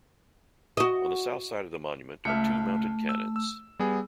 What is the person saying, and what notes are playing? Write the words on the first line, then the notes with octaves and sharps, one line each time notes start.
On the south side of the monument are two mounted cannons.
F#4 D#5
C#2 A3 E5 F6
E6
E6
G3 B3 G#4